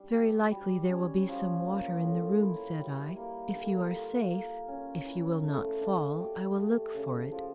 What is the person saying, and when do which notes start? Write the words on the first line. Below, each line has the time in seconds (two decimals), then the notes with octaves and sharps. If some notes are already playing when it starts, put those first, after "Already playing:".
"Very likely there will be some water in the room," said I. "If you are safe, if you will not fall, I will look for it."
Already playing: G3 D4
0.14 G4
0.51 G3
0.89 C#4
1.28 F3
1.65 A#3
2.02 A2
2.40 E4
2.79 G3
3.16 A#3
3.54 D3
3.92 F4
4.30 A#3
4.68 C#4
5.06 E3
5.43 A3
5.81 D4
6.20 G4
6.58 A3
6.94 C#3
7.32 F3